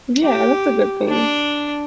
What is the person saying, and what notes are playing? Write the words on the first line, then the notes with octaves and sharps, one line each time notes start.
Yeah, that's a good thing.
G4
D4